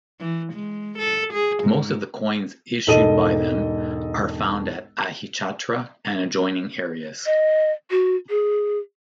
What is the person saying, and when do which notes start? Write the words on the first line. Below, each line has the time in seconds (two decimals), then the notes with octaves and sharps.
Most of the coins issued by them are found at Ahichatra and adjoining areas.
0.20 E3
0.53 G#3
0.99 A4
1.33 G#4
1.64 G#2
2.87 E1 G#2 A4 D#5 D#7
7.26 D#5
7.91 F#4
8.30 G#4